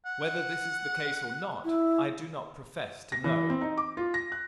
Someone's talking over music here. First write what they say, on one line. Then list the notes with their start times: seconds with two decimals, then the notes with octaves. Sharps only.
Whether this is the case or not, I do not profess to know.
0.05 F#5
1.64 E4
3.12 A#6
3.24 E3
3.50 C4
3.61 D#4
3.78 D6
3.97 F4
4.14 A#6
4.32 F#6